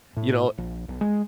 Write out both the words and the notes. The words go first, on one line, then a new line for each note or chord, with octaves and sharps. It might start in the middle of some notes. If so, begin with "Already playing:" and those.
You know
A2
A#1
B1
G#3